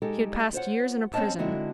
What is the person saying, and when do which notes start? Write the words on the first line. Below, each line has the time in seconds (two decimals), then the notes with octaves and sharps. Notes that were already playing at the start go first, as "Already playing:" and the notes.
He had passed years in a prison.
0.02 G#3 D#4 G4 A4 G5
0.53 F4 C5 C#5 F#5
1.14 C4 C#4 C#5 D#5 A5
1.39 D3 G#3 C4 D#4 E4 F#4